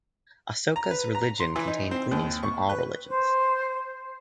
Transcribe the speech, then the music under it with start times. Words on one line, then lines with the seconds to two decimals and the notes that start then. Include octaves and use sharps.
Ashoka's religion contained gleanings from all religions.
0.76 A#5
0.91 B4
1.15 A#5
1.40 C6
1.56 E3
1.67 D#4
1.91 C4
2.11 D#2
2.43 C#6
2.69 B4
3.08 C5